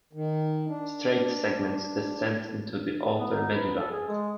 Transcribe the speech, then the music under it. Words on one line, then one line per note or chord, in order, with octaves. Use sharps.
Straight segments descend into the outer medulla.
D#3
D4
B3
D#4
B4
A4
G#4
G#3